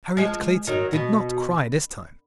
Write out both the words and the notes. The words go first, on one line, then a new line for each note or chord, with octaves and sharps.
Harriet Clayton did not cry this time.
F3 G#3
D#3 F#3
B2